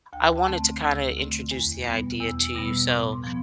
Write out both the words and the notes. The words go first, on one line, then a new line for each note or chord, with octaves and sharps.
I wanted to kinda introduce the idea to you, so,
D2 G5
A5
D3 A3 C4
D2 E6
D3 A3 C4
E2
B2 G3 B3
E2 E6
E6
B2 G3 B3
E6
A2 D6
C6
F3 B3